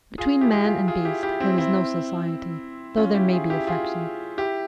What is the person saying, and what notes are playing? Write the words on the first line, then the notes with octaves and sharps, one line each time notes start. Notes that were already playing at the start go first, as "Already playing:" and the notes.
Between man and beast there is no society, though there may be affection.
F4 G#4
E4 G4
G4
F4 G#4
F4 G#4
E4 G4
E4 G4
C4 E4
C4 E4
C#4 F4
E4 G4
F4 G#4
E4 G4
F4 G#4
E4 G4